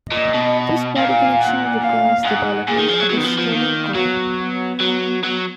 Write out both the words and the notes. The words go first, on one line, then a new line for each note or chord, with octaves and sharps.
This body connection requires the development of a strong core.
A#2 D#5
B2
A#2 F5
F#5
F5
G#2 F#5
A#2 G#4
D#3
F3
F#3
F#3 B3
D#3
F3
F3
D#3 A#3
F#3 B3
B3
F#3
F#3